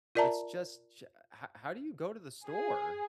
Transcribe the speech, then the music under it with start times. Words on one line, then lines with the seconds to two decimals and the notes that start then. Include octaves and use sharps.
it's just ja how how do you go to the store?
0.15 F4 A#4 D5 E5 A5 A#5
2.46 G#4